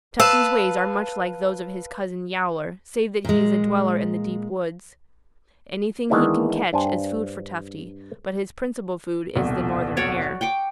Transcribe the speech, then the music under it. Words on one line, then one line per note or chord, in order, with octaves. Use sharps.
Tufty's ways are much like those of his cousin, Yowler, save that he is a dweller in the deep woods. Anything he can catch is food for Tufty, but his principal food is the Northern Hare.
B4 F5 A5 E6
A#2 G#3
D#3 E3 G#3 B3 D4 E4
G2 D4 C5 G5 G#5
D#1 C2 B2
F#4 C#5 D5
G5 C#6 D6